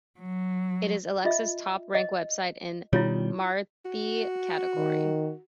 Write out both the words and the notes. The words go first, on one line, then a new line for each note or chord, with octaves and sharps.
It is Alexa's top ranked web-site in Marathi category.
F#3
F4 D#5 E5
D#5
B2 D#3 G3 E4 F4 C#5
F#4
D#3